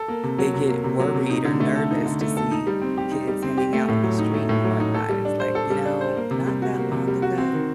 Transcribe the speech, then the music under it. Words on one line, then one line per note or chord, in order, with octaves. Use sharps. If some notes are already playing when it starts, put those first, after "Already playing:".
they get worried or nervous to see kids hanging out in the street and whatnot, and it's like, you know, not that long ago,
Already playing: A4
A#3
C3
F#3
C3
A#3
C3
F#3
C3
D#4
D3
A3
A4
D#4
D3
A3
A4
D#4
G3
C4
G4
D#4
G3
C4
G4
A3
A2
F#3
D#4
A3
A2
F#3
D#4
A4
G3
D4
C5
A4
G3
D4
C5
A#3
C3
G3
F#4
A#3
C3
G3
F#4
C4
D#3